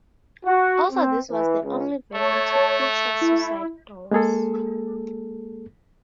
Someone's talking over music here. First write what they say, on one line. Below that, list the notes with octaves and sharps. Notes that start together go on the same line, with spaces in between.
Also this was the only version to feature suicide doors.
F#4
C4
E3
C#2
A3 C#5 A5
E4
G#3 A#3 G#4 A4